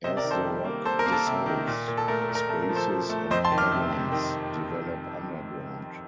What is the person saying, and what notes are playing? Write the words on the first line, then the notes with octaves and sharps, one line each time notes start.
As the rock dissolves, spaces and caverns develop underground.
C3 C5 D#5
A#4 D5
D#3
A4 C5
G3
A#3
A#3 A4 C5
A#4
A#3
A4
C3
D#3
A#2
A#2
A4
A3 A#4
A#4
A#2
A#4
A3 A4
A#4
F3
A4 C5
F3
A3
F2 C5 D#5
A5 C6
D#3
D6 F6
C3
C3
D#3